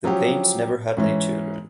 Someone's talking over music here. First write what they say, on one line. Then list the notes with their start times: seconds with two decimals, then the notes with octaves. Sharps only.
The Paynes never had any children.
0.04 F3 F#3 C#4 G4
0.97 G#2 E3 C#4